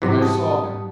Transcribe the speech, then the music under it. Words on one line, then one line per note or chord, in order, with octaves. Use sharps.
I saw him.
G#2 C3 E3 G3 F#4
G4 A5 D#6